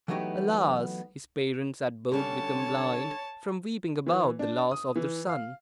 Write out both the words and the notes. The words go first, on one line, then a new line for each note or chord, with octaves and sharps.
Alas! his parents had both become blind from weeping about the loss of their son.
E3 F#3 A3 B3 D#4 G4
D3 G3 C#4 C#5 A5
E3
D4
D#6
E3
F5